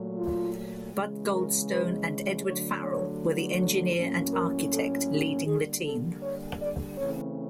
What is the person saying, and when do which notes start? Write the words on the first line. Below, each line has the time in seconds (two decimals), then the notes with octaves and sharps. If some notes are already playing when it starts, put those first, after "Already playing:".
Bud Goldstone and Edward Farrell were the engineer and architect leading the team.
Already playing: A#2 F#3 A3
0.18 F4
0.93 C#3 E3 G#3
1.32 A#4
1.70 B4
2.45 D3 F#3 A3 C#5
2.82 C#5
3.58 C#5
3.96 A2 F#3 A#3 C#4
4.33 A#4
4.72 A4
5.09 G4
5.47 D3 G3 A#3 G#4
5.85 A4
6.23 C#5
6.60 D5
6.98 C#3 E3 A3 C4 C#5